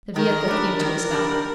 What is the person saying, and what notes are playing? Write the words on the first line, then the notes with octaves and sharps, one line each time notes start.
The vehicle came to a stop.
D#3 A#4
G3 D4
D#3 A#4
G3 D4